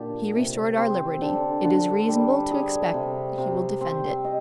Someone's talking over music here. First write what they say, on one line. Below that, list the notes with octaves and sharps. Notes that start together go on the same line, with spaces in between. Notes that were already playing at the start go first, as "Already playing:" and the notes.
He restored our liberty; it is reasonable to expect he will defend it.
Already playing: A#2 D3 G4
C3
C4
D3
D3
G3
G#4
C3
C3
C4
D#5